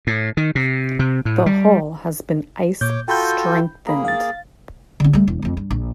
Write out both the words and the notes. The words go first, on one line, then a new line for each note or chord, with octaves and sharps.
The hull has been ice-strengthened.
A2
D#3
C3
C3
A2
G3
A#2 C#5 D6 G6
F4 F#4 A4 G5 B5 G6
A#3 G#4 A#5 B5
F5 A6
D3 C#4
G3 A3
E1
F2 A3
G2
A#1